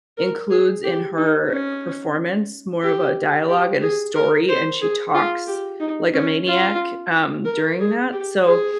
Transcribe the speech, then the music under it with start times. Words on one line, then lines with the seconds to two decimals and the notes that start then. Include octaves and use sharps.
includes in her performance, more of a dialogue and a story, and she talks like a maniac, um, during that, so
0.17 A#4
0.51 G#4
0.84 G4
1.17 D#4
1.50 C#4
2.83 G4
3.49 G4
3.81 G#4
4.15 A#4
4.48 C5
4.81 G#4
5.14 F4
5.47 G4
5.80 D#4
6.13 C#4
6.47 F4
7.45 A#4
7.79 G#4
8.12 G4
8.45 G#4